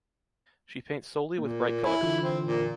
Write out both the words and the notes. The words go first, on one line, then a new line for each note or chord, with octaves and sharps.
She paints solely with bright colors.
A#2 A#3
E4 C#5 G#5 B5
D3 E3 F4
C4
A#2